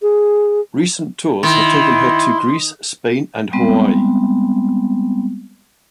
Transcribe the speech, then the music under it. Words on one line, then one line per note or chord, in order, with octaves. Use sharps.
Recent tours have taken her to Greece, Spain and Hawaii.
G#4
D#3 E4 C6
G3 G#3 B3 C4